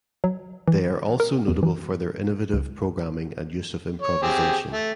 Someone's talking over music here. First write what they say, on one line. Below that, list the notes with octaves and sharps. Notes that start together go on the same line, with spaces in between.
They are also notable for their innovative programming and use of improvisation.
F#3
E3
A#4
E2
E3
C#2
C#5
C4 G4 G#4
A3